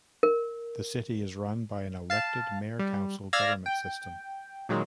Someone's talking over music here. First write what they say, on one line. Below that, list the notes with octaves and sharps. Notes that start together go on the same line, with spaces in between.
The city is run by an elected mayor-council government system.
A#4
F5 A5
G3
D5 F5 E6 F6 G#6 A#6
G5
A#2 D#3 F#3 G#3